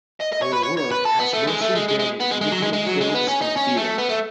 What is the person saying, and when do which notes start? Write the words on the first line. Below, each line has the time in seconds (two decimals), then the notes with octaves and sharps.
Her work has mostly been in independent films and theater.
0.21 D#5
0.33 D#5
0.42 C#5
0.53 B4
0.63 C#5
0.77 C#5
0.91 B4
1.05 A4
1.19 B3
1.34 A3
1.47 G#3
1.61 A3
1.75 G#3
1.89 G#3
1.99 G#3
2.20 B3
2.31 G#3
2.41 G#3
2.51 F#3
2.62 G#3
2.73 G#3
2.86 F#3
3.01 G#3
3.14 B3
3.28 C#4
3.42 D#4
3.57 C#4
3.77 A3
3.98 B3
4.09 A3